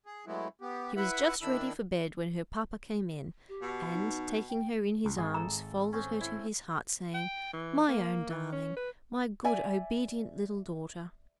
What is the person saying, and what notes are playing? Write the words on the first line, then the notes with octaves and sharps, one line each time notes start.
She was just ready for bed when her papa came in, and, taking her in his arms, folded her to his heart, saying, "My own darling! my good, obedient little daughter!"
G#4
F#3 G#3 A3 B3 E4
B3 G4
E4 B4 E5 F#5 B5
D#3 D4 E4 B5 E6
G4
B2
D#4
G5
C#2
G#1 G#4
A4 A#5
C4 C#4
E4
G5
E3
A#3
E3
C#4
B4
D5 E5 G#5